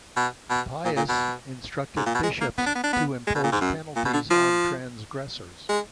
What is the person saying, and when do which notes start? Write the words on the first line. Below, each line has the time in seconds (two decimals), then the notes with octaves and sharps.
Pius instructed bishops to impose penalties on transgressors.
0.16 B2
0.50 B2
0.85 A#2
0.96 A#2
1.09 B2
1.97 G#2
2.06 A#2
2.15 B2
2.23 G#3
2.41 A#3
2.58 B3
2.66 D4
2.75 B3
2.83 D4
2.93 B3
3.27 G#3
3.35 B2
3.43 A#2
3.52 G#2
3.61 F#2
3.96 A#2
4.05 B2
4.13 D3
4.30 F3
5.69 G#3